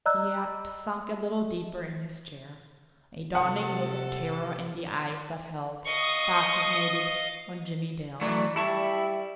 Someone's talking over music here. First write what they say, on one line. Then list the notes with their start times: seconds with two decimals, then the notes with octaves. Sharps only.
He had sunk a little deeper in his chair--a dawning look of terror in the eyes that held, fascinated, on Jimmie Dale.
0.06 D5 D#5 A#5 E6 F#6
3.35 C3 A4 F#5
5.86 D#5 F5 C#6 D#6
8.21 E3 F#3 A3 D5
8.56 G3 E4 E5 A5 C#6